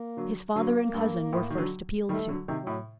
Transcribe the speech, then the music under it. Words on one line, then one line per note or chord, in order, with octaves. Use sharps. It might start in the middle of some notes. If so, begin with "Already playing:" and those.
His father and cousin were first appealed to.
Already playing: A#3
D3 F#3
D3 F#3 A#3
G2
A2
D#3
D3 F#3
D#3 G3 A3
D3 F#3
C3 D#3
F#3
A2